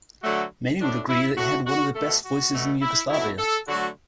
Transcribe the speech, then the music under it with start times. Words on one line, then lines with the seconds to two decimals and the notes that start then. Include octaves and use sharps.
Many would agree that he had one of the best voices in Yugoslavia.
0.23 D3 F#3 A3 F#4
0.81 A2 A3 D4
1.09 E4
1.38 A2 A3 F#4
1.67 F#4
1.96 B2 A3 A4
2.24 F#4
2.54 B2 A3
2.82 E4
3.11 B2 F#3 A3 E4
3.39 A4
3.67 D3 F#3 A3 F#4